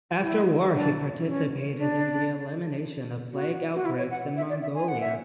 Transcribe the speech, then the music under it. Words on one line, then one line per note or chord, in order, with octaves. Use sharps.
After war he participated in the elimination of plague outbreaks in Mongolia.
E4
D4
C#4
D4
F#4
F#4
E4
C#5
F#5
E5
D5
E5
G#5
F#5
E5